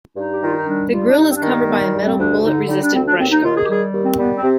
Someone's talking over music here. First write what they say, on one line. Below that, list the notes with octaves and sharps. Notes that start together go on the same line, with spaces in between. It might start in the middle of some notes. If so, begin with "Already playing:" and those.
The grille is covered by a metal bullet-resistant brushguard.
G2 D#4
G4
D#3 F4
D#4
G3 D4
G2 F4
D4
G2 D#4
C4
D4
D#3
B3
G3 B3
G2
C4
D2 D4
D3 D#4
G3 D#4
D4
D2 C4
D4
D#2 C4
D#4
D#3 F4
G#4
G4
G3 G#4
D#2
C4
G3 B3
C4
C3